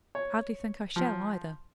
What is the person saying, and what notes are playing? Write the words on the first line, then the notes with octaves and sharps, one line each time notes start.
Hardly think I shall, either.
C#5
F3